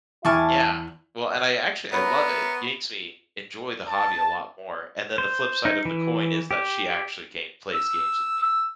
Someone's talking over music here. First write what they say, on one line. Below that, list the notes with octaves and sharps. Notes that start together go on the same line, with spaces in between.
Yeah. Well, and I actually I love it, gakes me enjoy the hobby a lot more. And then, the flip side of the coin is that she actually game plays games with me.
E2 E4 G#5 A5 C#6 D6 F6
B3 A#4 B4 C#5 E5 A#5
A5
C5
D#4
E3
G4
E6
E6